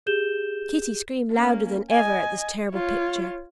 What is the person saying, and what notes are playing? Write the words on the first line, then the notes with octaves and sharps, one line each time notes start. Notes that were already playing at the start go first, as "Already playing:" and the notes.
Kitty screamed louder than ever at this terrible picture.
G4 G#4 G6 E7 G7
A#3 C#4
D#5 G#5
F4 C#5